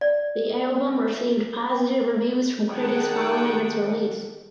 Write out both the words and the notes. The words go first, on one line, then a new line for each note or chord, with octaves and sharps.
The album received positive reviews from critics following its release.
D5
D#3 G3 G#4 F#5 G5 A5